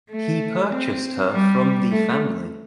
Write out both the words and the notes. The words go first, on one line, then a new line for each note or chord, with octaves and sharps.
He purchased her from the family.
A3
C4
G3
A3